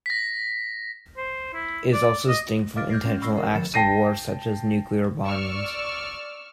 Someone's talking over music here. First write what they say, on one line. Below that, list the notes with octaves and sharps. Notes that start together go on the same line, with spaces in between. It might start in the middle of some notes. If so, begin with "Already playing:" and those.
It is also distinct from intentional acts of war such as nuclear bombings.
A#6 B6
C5
E4
D5
D#5
D#5 F5 D6 F6 A6 D7
F6 G6 G#6 A#6 C7
G#3 C#4
B5 C#6 E6 F6 A#6 C7
A#4
D3 F3 A#4 A6 C#7 E7
G5 A5 A#6 C7 D#7
D5 C#6 E6 F6